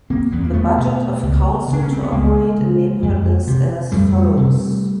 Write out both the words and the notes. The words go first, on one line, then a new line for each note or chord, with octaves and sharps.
The budget of council to operate in Nepal is as follows.
A#3 C4
E2 B3
A#3
A3 B3
B2
C#2
C#3
D4
C#4
C4
B3
C#2 G#3 A#3
C#3
F2
C3
F2 G3 A3
C3